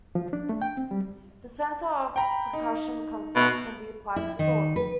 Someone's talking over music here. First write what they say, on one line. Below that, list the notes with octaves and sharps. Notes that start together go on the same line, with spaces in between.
The center of percussion concept can be applied to swords.
F3
D4
A3
G5
C4
G3
G5 A#5 B5
D#4
B2
E4
D#3
B4